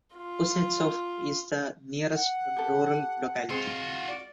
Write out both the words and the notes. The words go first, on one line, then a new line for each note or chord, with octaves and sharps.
Kuznetsov is the nearest rural locality.
F4
F#5
G4 A4
G#3 C4 F4 F#4
D5